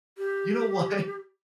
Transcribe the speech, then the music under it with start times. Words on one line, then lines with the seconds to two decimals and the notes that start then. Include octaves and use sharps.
You know what?
0.18 G4